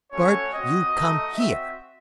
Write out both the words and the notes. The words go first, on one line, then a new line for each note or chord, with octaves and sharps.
"Bart, you come here!"
A3 C#4 F#4 C#5
C4 F#4 D#5
A3 D#4 F#4
C4 F#4 E5